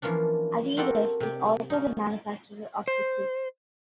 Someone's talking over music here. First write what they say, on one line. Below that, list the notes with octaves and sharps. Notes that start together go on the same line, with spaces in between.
Adidas is also the manufacturer of the kit.
E3 F3 A#3 C#4 D4
A#3 C4 F#4 G4 A4
C3 G4
C#4 D#4
C5